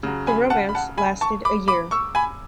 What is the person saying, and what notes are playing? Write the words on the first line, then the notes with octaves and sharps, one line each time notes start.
The romance lasted a year.
C#3 F#3
G#5 B5
F#5 A5
B5
F#5 A5
G#5 B5
A5 C#6
B5 D6
B5 D6
C#6 E6
G#5 B5